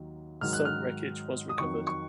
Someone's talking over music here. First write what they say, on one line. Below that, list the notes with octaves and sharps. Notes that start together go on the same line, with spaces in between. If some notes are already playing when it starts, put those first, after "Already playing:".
Some wreckage was recovered.
Already playing: D#2 D#3 F#3
G#2 D#3 F#3 F6
F#6
F6
D#6
F2 D#3 F#3 C#6
C#6